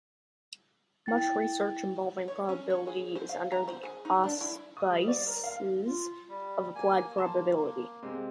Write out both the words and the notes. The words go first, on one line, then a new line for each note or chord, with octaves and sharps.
Much research involving probability is done under the auspices of applied probability.
E4 G5 A6
C#5
C#4
C#5
G#4
C5
F5
A#5
C5
G#4
D#4
D4
E4
D#6
G3
D5
A#4
F5
F4
G3
A#3 G#5
A#3 A5 C6 E7
C3 G#3 C4